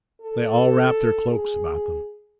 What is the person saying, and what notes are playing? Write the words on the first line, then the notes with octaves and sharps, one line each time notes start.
They all wrapped their cloaks about them.
A4
G#4